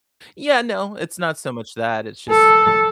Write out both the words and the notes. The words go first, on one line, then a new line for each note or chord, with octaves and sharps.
Yeah, no. It's not so much that. It's just
A4